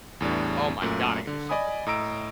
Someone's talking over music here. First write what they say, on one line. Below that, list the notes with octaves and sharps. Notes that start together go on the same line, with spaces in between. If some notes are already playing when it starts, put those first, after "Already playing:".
Oh my God. I could do so much with this."
E2 A2 G3 D4
F#2 A#2 A3
D3
D5 D#5 G#5 B5 D#6
A2 D#5 A#5 E6 D7